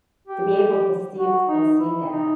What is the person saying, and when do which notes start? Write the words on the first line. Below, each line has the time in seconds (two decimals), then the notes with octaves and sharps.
to be able to sti still see that.
0.27 G4
1.19 F#4
1.48 D#4
1.79 E4
2.10 D#4